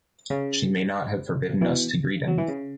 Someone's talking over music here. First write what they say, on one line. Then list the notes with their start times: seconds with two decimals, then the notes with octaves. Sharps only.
She may not have forbidden us to greet him!
0.30 C#3
1.61 B2 E3
2.28 F#3
2.38 E3
2.48 C#3